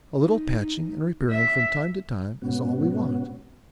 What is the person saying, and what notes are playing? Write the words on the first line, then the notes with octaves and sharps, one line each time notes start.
A little patching and repairing from time to time is all we want.
D#4
E5
G#2 B2 B3 C#4 F#4